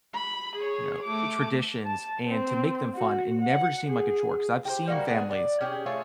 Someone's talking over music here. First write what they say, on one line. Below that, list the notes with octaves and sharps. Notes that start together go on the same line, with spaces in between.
you know, traditions and to make them fun and never seem like a chore. 'Cause I've seen families
B5
G#4 C#5
A3 D6
A5
C4
F#4
F#5
G#4
G4 A#4 C5
G3 A3 A#3 F#4
B3 D4 G#4
D5
C#4 G4 G#4 G5
A3 F4 G#4 C#5